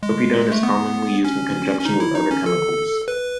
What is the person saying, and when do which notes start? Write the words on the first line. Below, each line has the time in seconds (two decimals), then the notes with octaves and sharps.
Povidone is commonly used in conjunction with other chemicals.
0.03 G#3
0.52 A3
0.63 B3
1.25 C#4
1.80 C#4
1.85 D#4
2.00 E4
2.15 D#4
2.31 C#4
2.46 A4
3.08 B4